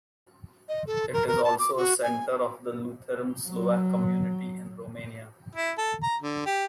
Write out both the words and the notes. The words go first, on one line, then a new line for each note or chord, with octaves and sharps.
It is also a centre of the Lutheran Slovak community in Romania.
D#5
A4
A#4
A#4
A5
D6
F#4
G#5
F#3
E4
A4
A#5
D3
G4